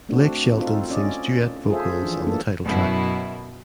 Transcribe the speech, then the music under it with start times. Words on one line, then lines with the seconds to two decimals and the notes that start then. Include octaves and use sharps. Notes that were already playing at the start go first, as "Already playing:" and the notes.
Blake Shelton sings duet vocals on the title track.
0.09 A3 C4 D4 F#4
0.57 C4 D#4 F4 A4
0.90 C#4 D5 D#5
1.69 F4 G#4 A4 C5 E5
2.03 E3 F3 D4
2.27 A3 A#3 D4 A4
2.63 F#2 B2 E4